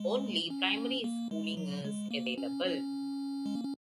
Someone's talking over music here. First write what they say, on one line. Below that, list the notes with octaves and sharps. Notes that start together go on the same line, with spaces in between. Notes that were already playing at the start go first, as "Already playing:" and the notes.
Only primary schooling is available.
Already playing: G#3
C#4
A#3
G#3
F#3
G#3
A#3
C#4
C#4
G#3
A#3
C#4